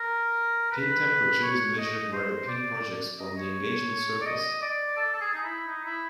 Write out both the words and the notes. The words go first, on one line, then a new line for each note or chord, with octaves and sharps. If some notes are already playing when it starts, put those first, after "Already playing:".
Pin temperature is measured where the pin projects from the engagement surface.
Already playing: A#4
B4
C#5
D#5
C5
D5
D#5
C#5
D5
D#5
D5
A4
A4
G#4
D#4
E4
D#4
E4